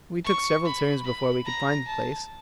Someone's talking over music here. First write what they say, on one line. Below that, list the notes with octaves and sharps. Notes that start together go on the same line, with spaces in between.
We took several turns before we could find the place.
C#6
B5
B5
A#5
A5